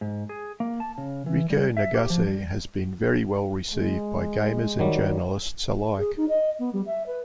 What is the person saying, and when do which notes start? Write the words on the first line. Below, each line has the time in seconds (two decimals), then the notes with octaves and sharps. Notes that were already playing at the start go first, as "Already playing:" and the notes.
Reiko Nagase has been very well received by gamers and journalists alike.
0.01 G#2
0.29 G#4
0.60 A#3
0.80 A5
0.98 C#3
1.26 E3
1.50 G3
1.77 E5
1.95 G4
2.10 F3
2.27 G3
3.73 G#3
4.79 D#3 F#3 G3
5.98 G#4
6.17 D#4
6.28 D#5
6.59 B3
6.73 G3
6.86 E5
7.06 B4